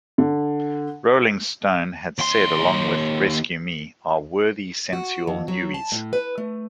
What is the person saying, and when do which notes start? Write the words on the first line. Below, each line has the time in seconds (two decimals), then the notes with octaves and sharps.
"Rolling Stone" had said along with "Rescue Me" are "worthy sensual newies".
0.18 D3
2.19 D#2 C6
4.93 F#4
5.27 F2
5.48 F#3
5.74 A5
5.92 A2
6.13 B4
6.38 A3